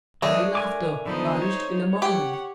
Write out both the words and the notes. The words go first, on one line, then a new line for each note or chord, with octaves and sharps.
My laughter vanished in a moment.
F#3 G#3 A3 D4 D#5
A#4 G#5 D6
D3 F3 B3 D#4 C5
C#5
G4 F#5